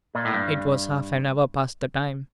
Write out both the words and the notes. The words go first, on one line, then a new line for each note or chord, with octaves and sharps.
It was half an hour past the time.
A#2
A2
G2